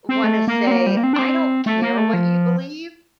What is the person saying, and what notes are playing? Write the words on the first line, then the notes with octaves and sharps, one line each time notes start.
wanna say, "I don't care what you believe."
C4
A3
A#3
C4
A#3
G3
A#3
C4
D4
C4
A3
A#3
A3
F3